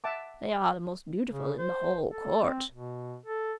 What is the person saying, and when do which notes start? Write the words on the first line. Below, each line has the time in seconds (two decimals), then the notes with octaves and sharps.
They are the most beautiful in the whole court.
0.04 E5 F#5 A5 D6
1.29 C#3
1.58 C5
2.09 A4
2.43 C4
2.72 B2
3.26 A4